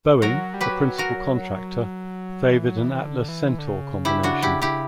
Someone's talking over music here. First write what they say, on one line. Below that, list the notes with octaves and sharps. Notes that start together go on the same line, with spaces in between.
Boeing, the principal contractor, favored an Atlas-Centaur combination.
F#3 F#4 A#4
G3
F#3 G4 B4
F#4 A#4
E3
F#3
E3
E3
D3
E3
D3
C#3
E4 G4
D4 F#4
E4 G4
E4 G4